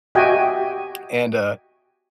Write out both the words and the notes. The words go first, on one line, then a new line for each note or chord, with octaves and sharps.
And, uh,
F#4 G4 D#5 E5 G5 G#5